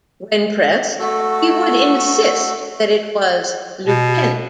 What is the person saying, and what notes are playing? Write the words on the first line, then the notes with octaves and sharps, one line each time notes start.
When pressed, he would insist that it was "Lieutenant".
A3 F#4 A4
B2